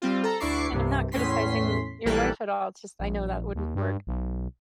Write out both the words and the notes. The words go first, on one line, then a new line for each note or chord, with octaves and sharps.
And I'm not criticizing your wife at all, it's just I know that wouldn't work.
G3 C4 F4
A4 A#5
D2 D4 E4 C#6 D6 C7
C2 G2 C3
E2 A2 C#4 C6 B6
A#1 E3 G3 A#3 A4 F#6
A#1
D#2
G2
B1